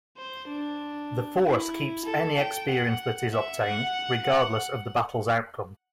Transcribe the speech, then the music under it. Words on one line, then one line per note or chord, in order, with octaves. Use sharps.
The Force keeps any experience that is obtained, regardless of the battle's outcome.
C5
D4
E4
A4
G5
F#5
E5
F#5
F#5